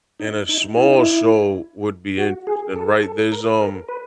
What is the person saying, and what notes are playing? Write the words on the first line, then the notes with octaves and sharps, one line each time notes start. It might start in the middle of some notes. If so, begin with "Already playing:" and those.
And a small show would be interesting, right? There's, um
D#4
D#4
E4
D#4
E4
F#4
G#4
A4
A4
A#4
A#4
B4